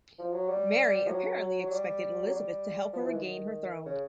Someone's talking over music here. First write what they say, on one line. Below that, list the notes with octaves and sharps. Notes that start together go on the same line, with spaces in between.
Mary apparently expected Elizabeth to help her regain her throne.
F3
F#3
G3
F3
F#3
F#3
G3
F#3
G3
F3
E3
D#3
C#3